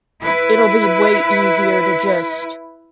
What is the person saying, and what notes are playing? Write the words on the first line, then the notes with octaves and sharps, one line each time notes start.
it'll be way easier to, just,
E4 B4